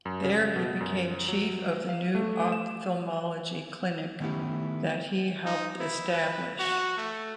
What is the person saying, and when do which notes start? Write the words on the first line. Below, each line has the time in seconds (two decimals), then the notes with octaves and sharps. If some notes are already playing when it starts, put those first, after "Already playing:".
There he became chief of the new ophthalmology clinic that he helped establish.
0.05 F#2
0.24 C#3
0.56 B2
0.81 F#2
1.28 F#3
1.89 F5
2.15 A3
2.52 E7
4.20 D#3 A3 B3 C#4 E4 G4
5.46 D#4
5.80 E4
6.12 B4
6.60 F#4
6.98 A3